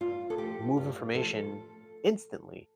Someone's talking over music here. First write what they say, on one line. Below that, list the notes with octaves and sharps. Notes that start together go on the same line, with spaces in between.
move information instantly,
G2 F4
A4
F3 A3 G4
G2 F4
F3 A3 A4